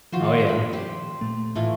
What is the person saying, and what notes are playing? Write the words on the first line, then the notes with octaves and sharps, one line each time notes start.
Oh, yeah.
D#3 F3 F4 F#4 C5
G5 B5
G4 C5
A#2 A3
A2 E3 A3 F4